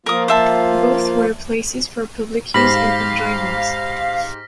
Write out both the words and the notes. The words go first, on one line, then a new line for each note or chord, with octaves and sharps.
Both were places for public use and enjoyment.
F3 A#3 F4 A#4 D#6
C5 E5 A5
G#2 G4 C5 F5 B5 F6 A#6 B6